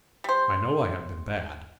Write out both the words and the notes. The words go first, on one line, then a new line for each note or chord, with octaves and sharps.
I know I have been bad.
G3 C5